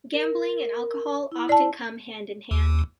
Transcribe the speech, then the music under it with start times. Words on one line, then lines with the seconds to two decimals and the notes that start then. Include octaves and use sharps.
Gambling and alcohol often come hand in hand.
0.14 A#4
1.32 E4
1.49 D5 A5
2.51 D#2